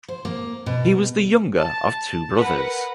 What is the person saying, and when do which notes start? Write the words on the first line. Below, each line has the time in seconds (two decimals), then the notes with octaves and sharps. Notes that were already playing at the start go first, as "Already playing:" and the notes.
He was the younger of two brothers.
0.08 C5
0.25 A#3
0.66 B2
1.57 A5
2.36 A#4 B4 F#5